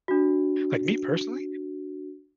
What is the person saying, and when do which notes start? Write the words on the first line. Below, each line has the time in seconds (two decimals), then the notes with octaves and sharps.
like me personally,
0.08 D4 F#4